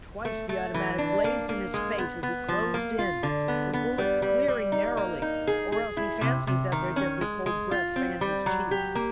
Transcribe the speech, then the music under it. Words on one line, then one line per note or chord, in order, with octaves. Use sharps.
Twice the automatic blazed in his face as he closed in, the bullets clearing narrowly--or else he fancied that their deadly cold breath fanned his cheek.
A3
A3
E3
D4
A#3
A#3
G#3
B3
B3
F3
A#3
F4
D3
B3
B3
G3
G3
G3
D#4
A#3
D#4
G#4
G#4
E4
C3
C3
D#3
C#4
G#3
G#3
F4
C4
G3
F#3
G4
A#3